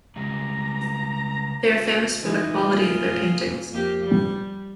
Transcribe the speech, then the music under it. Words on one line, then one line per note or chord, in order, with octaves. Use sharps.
They are famous for the quality of their paintings.
C#3 G3 G#3 A#5
E3 D#4
A#3 F4 G#4
F2 A#3 G4
G3